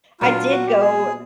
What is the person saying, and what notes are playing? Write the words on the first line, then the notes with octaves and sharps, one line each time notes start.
I did go
A#2 F#3 B3 D4 F4
F#4
G4
G#4